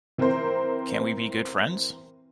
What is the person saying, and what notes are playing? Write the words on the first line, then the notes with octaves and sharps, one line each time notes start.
Can’t we be good friends?
E3 C4 E4 A#4 C5